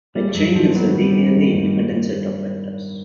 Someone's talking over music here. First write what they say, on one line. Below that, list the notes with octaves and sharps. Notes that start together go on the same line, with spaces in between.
A chain is a linearly independent set of vectors.
G3 G#3
G2 F#3
D#3 F3
F#3 B3
D#3 G3
G#3
D#3
G2